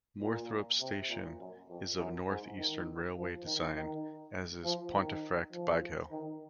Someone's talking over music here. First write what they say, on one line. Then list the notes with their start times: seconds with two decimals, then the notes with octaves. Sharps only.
Moorthorpe station is of North Eastern Railway design, as is Pontefract Baghill.
0.21 A#2
0.80 C3
1.09 A#2
1.40 F#2
1.69 F2
1.98 F#2
2.28 G#2
2.57 D#3
3.17 F3
3.45 D#3
3.75 D#3
4.64 F3
4.94 D#3
5.53 F3
6.12 D#3